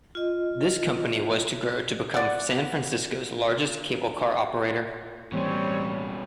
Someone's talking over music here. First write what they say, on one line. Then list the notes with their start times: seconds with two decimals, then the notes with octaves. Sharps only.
This company was to grow to become San Francisco's largest cable car operator.
0.15 F4 D#5
2.14 D5 F#5
5.32 A1 B2 E3 G3 A#3 C4 C#4 C#5